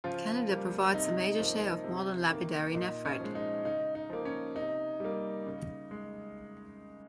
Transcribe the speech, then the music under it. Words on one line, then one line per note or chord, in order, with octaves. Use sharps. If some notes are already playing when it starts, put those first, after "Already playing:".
Canada provides the major share of modern lapidary nephrite.
C#3 F3 F4
G3 A#3
C3 D#4
F3 A#3
C3
D#3 A#3
A#2 D#4
C#4
F3 G#3
D#4
C#3 D#4
D#4
F3 A#3
C#4
C3 D#4
G3 A#3
C#3
G#3